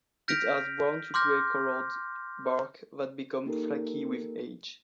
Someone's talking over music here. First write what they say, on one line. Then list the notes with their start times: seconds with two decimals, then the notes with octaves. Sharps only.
It has brown to grey coloured bark that become flaky with age.
0.28 F6 G6 A#6 B6 D7 F7
1.14 C6 D6 F6 G6 A#6
3.46 A#3 D#4 G4 A4 A#4